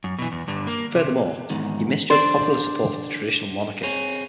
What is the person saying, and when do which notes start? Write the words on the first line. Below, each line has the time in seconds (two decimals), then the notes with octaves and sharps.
Furthermore, he misjudged popular support for the traditional monarchy.
0.04 F#2
0.19 B2 E3
0.32 E2
0.48 G2 D3
0.67 A#3
0.95 C3
1.50 E2 G#2 D#3
2.10 D4 C5 D5
3.83 C4 G#4 C#5